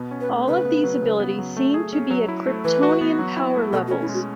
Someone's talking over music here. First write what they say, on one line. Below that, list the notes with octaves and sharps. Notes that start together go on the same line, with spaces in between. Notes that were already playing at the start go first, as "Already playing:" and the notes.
All of these abilities seem to be at Kryptonian power levels.
Already playing: B2 B3
C#4
B4
A3
C#3 B4
B3
F#3
C#3
B3
F#3
A3
G#4
C#4
F#3
E4
A3
E3 B4
F#4
B3
F#3
E4
A3
B2 A4
F#4
C#4
E4
G#3 F#4